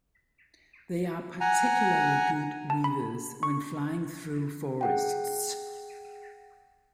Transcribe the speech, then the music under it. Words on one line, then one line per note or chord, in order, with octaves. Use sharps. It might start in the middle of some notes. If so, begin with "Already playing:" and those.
They are particularly good weavers when flying through forests.
F#5 G#5 A#5
A5
B5
C#6
G#4 F#5 G5